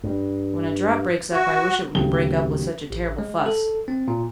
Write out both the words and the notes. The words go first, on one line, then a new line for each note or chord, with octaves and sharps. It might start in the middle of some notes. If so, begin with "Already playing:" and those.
When a drought breaks up I wish it wouldn't break up with such a terrible fuss.
G2
F#4
D1 D#2 C#3 G7
A1
G#3
A4
C4
A#2